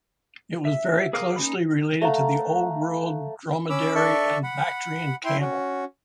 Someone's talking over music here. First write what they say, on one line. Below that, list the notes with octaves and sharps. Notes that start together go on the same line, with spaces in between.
It was very closely related to the Old World Dromedary and Bactrian camel.
E5
G#4 A#4 F5 D6 D#6
A#3 C#4 D#4 B5
A3 F5 F#5 A#5
C#4 B5 D6 E6
D4 A4 D5 E5 C#6
F#5 B5
E4 G5 C6
C#4 F#4